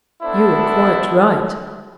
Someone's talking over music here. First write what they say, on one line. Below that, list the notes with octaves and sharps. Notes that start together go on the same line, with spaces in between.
'You are quite right.
B3 D4 E4 A4 C5